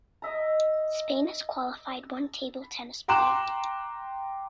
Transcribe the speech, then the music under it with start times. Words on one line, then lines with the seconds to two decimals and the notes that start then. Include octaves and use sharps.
Spain has qualified one table tennis player.
0.22 D#5 E5 A#5
3.08 G5 A#5 C6 D6 F#6 E7